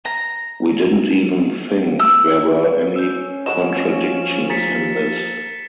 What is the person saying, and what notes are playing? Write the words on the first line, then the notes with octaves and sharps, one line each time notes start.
We didn’t even think there were any contradictions in this.
A#5
E6
C#4 E6 G6
F3 D#5 F#5 E7
G#4 A#5 A6 B6 C#7